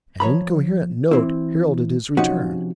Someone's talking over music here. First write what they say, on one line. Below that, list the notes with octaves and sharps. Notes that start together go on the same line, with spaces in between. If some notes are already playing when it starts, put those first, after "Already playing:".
An incoherent note heralded his return.
F3 C#5 A#5 B5
E3 C4 E4
C3 F3 C#4 D#4 F#4 F#5